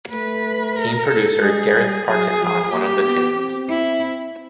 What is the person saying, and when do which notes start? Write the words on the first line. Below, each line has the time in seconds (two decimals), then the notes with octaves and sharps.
Team producer, Gareth Parton, on one of the tunes.
0.11 A3 B4
0.76 A#4
1.08 A4
1.41 G#3 G#4
1.74 G3
2.07 F#3 G#4
2.40 F3
2.71 A#3 G4
3.05 B3
3.37 C4
3.69 E4